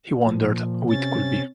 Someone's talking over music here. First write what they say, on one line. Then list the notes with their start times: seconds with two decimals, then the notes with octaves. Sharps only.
He wondered who it could be.
0.23 A#2 F3
0.90 C3 C#4 A6